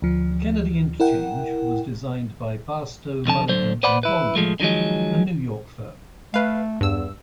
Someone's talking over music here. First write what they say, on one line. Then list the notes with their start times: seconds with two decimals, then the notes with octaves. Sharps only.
The Kennedy Interchange was designed by Barstow, Mulligan and Vollmer, a New York firm.
0.02 D2 F3
1.00 E4 A#4 F#5 G5
3.26 B1 F2 D3 A5
3.48 D3 F#3 C5
3.83 B4 C5 D5 F#5 B5
4.03 E4 B4
4.36 A2 F3 G#3 A3
4.60 D3 D#3 F3 F#3 G#3
6.34 A3 B4 F5
6.81 E2 G2 E6